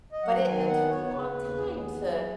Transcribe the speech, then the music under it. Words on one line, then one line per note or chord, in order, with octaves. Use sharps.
but it and it took a long time to,
D#5
F#3 F#5
D#3 G#5
B3 F#5
B3 C#5
C#5
C#3 B4
D#2
D#2 G#4
B4
B3 G#4
F#3